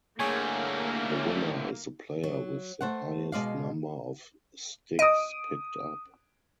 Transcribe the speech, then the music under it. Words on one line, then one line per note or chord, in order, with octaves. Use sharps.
The winner is the player with the highest number of sticks picked up.
A2 D3 G3 A3 A#3 G#4 C#5 G#5
F#3
A3 C5 F#5
B2 G#3 D5 F5
D#5 D#6 D7 D#7